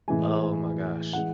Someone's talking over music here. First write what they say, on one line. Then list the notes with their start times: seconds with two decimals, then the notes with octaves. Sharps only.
Oh my gosh.
0.08 A2 E3 G#3 G#5
1.13 E3 G#3 F#5